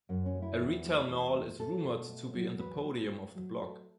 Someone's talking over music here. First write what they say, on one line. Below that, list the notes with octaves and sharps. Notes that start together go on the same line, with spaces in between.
A retail mall is rumoured to be in the podium of the block.
F#2 C#4
C#4
A3
E4
E2
A3
E2
A3
A3 A4
B2
A3
F#3
E2 B4
A3
A3
F#3
A3 A4